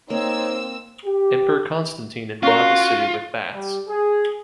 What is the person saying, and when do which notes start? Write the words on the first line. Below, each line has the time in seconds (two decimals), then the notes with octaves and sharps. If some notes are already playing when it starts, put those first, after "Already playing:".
Emperor Constantine endowed the city with baths.
0.10 A#3 C4 D#4 C#5 E6
1.04 G4
2.43 C#4 F4 F#4 A#4 F5
3.52 G3
3.88 G#4